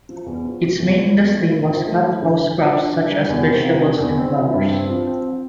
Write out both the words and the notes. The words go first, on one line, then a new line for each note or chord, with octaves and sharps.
Its main industry was hothouse crops such as vegetables and flowers.
F3
E2
F3
C3
E2
F3
E2
A3
E4
F3
A3
E4
D3
E4
F3
D4
D4
G3
E2
C3
C3
D4
E2
C4
E4
G2
C4
F3
C4